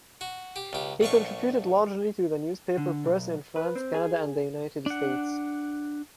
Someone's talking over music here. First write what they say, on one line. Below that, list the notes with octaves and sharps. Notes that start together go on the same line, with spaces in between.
He contributed largely to the newspaper press in France, Canada, and the United States.
F#4
G4
C#2 G4
A#1 A3 F5 C#6
D3
B1
B4
C4
G#4
D4 F#5